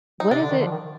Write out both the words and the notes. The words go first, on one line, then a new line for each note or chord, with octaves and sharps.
What is it
D#4
C3 D4
D3
D#3
D3
F3
D#3